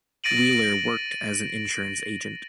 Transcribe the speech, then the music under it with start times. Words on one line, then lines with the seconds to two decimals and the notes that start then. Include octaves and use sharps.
Wheeler worked as an insurance agent.
0.24 A6 A#6 D7 D#7 F#7